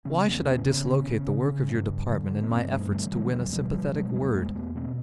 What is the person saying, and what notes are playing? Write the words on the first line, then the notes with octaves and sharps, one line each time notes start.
Why should I dislocate the work of your department in my efforts to win a sympathetic word?
C#3 B3 C#4
E2 A#3 C4
C#3 B3 C#4
C#3 B3 C#4
C#3
C#3
C#3
C#3
G2
G2
D3
D3
B3
G2 A#3 C4
G2 G3 A3
D3 G3 A3
D3 F#3 G#3
F#3
E2 F3 G3
B2 F3 G3
B2 F3 G3
B2 F#3 G#3
G#3
E2 G3 A3
E2 G#3 A#3
E2 A3 B3
B2 A#3 C4